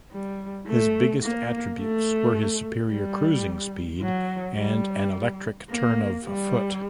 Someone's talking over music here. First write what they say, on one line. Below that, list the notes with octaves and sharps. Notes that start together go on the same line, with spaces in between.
His biggest attributes were his superior cruising speed and an electric turn of foot.
G3
A3
A#3
A3
G3
F#3
G3
A#3
G3